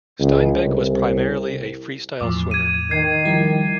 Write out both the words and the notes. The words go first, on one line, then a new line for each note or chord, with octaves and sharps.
Steinbeck was primarily a freestyle swimmer.
C#2
C2
E2 A2 F3 D6
G#6 D#7
D#3 G#6 C7
F3 G3 E4